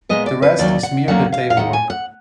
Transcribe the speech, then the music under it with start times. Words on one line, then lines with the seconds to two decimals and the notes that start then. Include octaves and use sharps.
The rest is mere detail work.
0.09 A#2 G#3 B3 D#5
0.26 D5
0.42 B4
0.59 D#2 D#3 F#3 D5
0.83 F#5
1.08 D2 D3 F#3 A#3 F#5
1.32 F5
1.50 F5
1.57 D#2 D#3 G#3 F#5
1.73 G#5
1.90 F#5